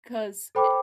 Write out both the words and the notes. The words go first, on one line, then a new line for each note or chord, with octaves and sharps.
'cause, eh,
A4 C5 G5 B5 D6